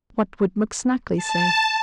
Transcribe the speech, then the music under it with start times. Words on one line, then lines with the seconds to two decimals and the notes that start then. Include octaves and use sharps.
What would McSnagley say?
1.16 A5